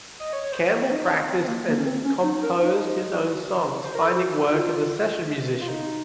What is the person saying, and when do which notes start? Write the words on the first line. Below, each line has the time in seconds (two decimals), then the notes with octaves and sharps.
Campbell practiced, and composed his own songs, finding work as a session musician.
0.20 D#5
0.33 C#5
0.43 C#5
0.52 C5
0.71 C#5
0.91 D#4
1.10 C#4
1.28 C4
1.44 C4
1.47 A#3
1.67 A#3
1.78 C#4
1.86 C4
2.05 C#4
2.24 D#4
2.43 A#4
2.63 D#4
3.84 C5
3.95 A#4
4.05 A4
4.15 F#4
4.49 D#4
4.54 F4
5.61 F4
5.68 D#4